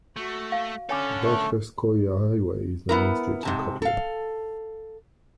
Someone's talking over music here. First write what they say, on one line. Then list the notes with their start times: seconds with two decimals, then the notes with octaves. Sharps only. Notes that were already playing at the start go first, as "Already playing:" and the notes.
Varshavskoye highway is the main street in Kotly.
0.16 A3 F#4
0.52 F5
0.89 D3 C#4 A4 C#5 G#5 D6
1.24 A3
2.89 B3 E4 A#4
3.43 G#2 C3 A5
3.82 A4 F5